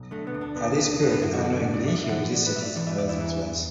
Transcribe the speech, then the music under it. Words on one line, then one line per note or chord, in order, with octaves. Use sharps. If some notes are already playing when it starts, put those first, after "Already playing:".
At this period, unknowingly, he resisted his mother’s influence.
Already playing: B1
D3 A3
B3
D2
D4
D3 B3
D2
D3 D4
B3
F#2 E4
F#4
D3 A4
F#2
D5
B1 E5
E5
E3 F#5
A2 D5
B4
B1 E5
D5
E3 D5
E5
E2 D5
E4
E3
E2